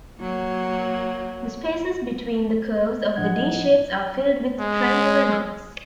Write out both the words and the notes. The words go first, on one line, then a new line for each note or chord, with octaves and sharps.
The spaces between the curves of the "D" shapes are filled with triangular knots.
F#3 A#3
A2 F3 D4 D#5 F#5 G#6
G#3